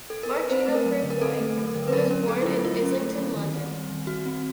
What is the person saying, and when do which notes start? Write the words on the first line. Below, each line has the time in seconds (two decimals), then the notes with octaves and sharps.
Mark Gino Francois was born in Islington, London.
0.10 A4
0.23 A#4
0.36 B4
0.49 C4 C5
0.66 A3 B4
0.74 A#4
0.86 F#3
1.03 D3
1.10 A#4
1.21 C4 A4
1.40 A3
1.57 F#3
1.74 D3
1.88 B4
1.92 F#3 A#4
2.10 C#4 A#4
2.28 A3 A4
2.42 E4
2.46 F#3 F4
2.64 F#3 F4
2.82 C#4
3.00 A3
3.17 F#3
3.35 D#3
3.54 C4
3.72 G3
3.89 D#3
4.07 D#3 F#4
4.26 C4